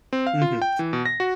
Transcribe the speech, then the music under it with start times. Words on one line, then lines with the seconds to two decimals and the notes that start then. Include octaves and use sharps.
Mhm. T
0.13 C4
0.27 F5
0.42 F4
0.62 G5
0.79 E3
0.93 B2
1.05 A#6
1.20 F#4